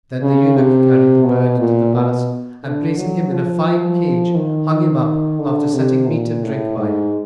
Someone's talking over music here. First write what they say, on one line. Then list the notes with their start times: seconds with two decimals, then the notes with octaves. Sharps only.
Then the eunuch carried the bird to the palace and placing him in a fine cage, hung him up after setting meat and drink by him.
0.21 C#3
0.56 C3
1.25 B2
1.59 A#2
1.94 B2
2.63 D3
2.98 F#3
3.31 F3
4.35 D#3
5.39 D3
5.74 C3
6.08 A#2
6.43 A2
6.78 G#2